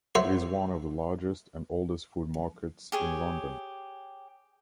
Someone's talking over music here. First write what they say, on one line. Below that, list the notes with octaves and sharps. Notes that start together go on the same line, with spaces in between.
It is one of the largest and oldest food markets in London.
F#3 C5 E5
G4 G#4 C#5